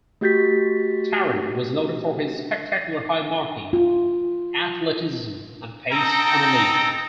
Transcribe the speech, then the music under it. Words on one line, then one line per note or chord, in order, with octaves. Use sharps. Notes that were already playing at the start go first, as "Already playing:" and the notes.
Tarrant was noted for his spectacular high marking, athleticism and pace on a lead.
A3 F#4 G4 G6 A6 B6
F4
C4 D#4 A4 G5 A#5